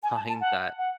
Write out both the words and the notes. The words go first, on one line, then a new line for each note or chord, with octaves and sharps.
find that,
G#5
A5
A5
F#5
F#5